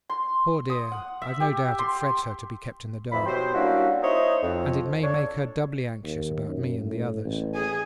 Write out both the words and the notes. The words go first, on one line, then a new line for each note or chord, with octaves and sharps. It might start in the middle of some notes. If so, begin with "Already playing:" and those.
Poor dear, I've no doubt it frets her to be kept in the dark, and it may make her doubly anxious about me and the others.
C6
D#6
F#5
E5
G4
C6
F2 E3 D#4 E5 B5
B2 F#3 G4 C5
G3 A#3 C#4 D4 E4 F#4
D#4 E4 C5 C#5 D#5
F2
D4 A4 C#5
D#2
F#2
A2
A1
G#4 G#5